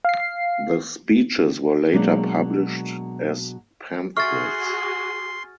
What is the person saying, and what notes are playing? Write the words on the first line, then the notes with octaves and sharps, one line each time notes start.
The speeches were later published as pamphlets.
F5 C7
B2 F#3 G#3 A#3 D4
F#4 G#4 A4 E5 C6 C#6 F6 A6